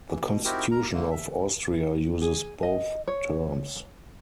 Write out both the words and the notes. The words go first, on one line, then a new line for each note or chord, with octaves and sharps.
The Constitution of Austria uses both terms.
E3
B2
C4 D#4 E4 F#4 G4 A#4
A#4 A#5
D3 A3 A#3
E5
G#4
D#5
C#5